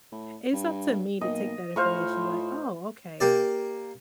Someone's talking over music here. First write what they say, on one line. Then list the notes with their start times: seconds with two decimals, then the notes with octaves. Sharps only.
It's up to me to take that information, like, "Oh, okay."
0.12 A2
0.53 G2
1.21 B1 A#3 D#5
1.76 A2 F4 C5 F5 C#6
3.20 A#3 G4 D5